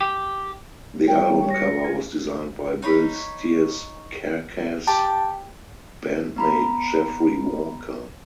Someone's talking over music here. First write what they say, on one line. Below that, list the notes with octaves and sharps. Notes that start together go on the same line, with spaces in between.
The album cover was designed by Bill Steer's Carcass bandmate Jeffrey Walker.
G4
G3 C#5 G5
A#6 C#7
F4 G#5
D#4 C#5 B5
G4 A5
B3 A#5 B5